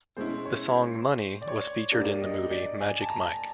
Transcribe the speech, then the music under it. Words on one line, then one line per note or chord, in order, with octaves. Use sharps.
The song "Money" was featured in the movie Magic Mike.
B2 G#3 C#4 E4 C5
C#5
C5
D5
C#5
A#3 D4 G4 D5
D#5
D5
G#5
A5
A#5